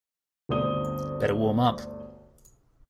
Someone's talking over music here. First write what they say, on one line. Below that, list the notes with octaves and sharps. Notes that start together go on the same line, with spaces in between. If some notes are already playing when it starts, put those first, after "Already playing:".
Better warm up.
G1 D2 C4 D5 D#6 G7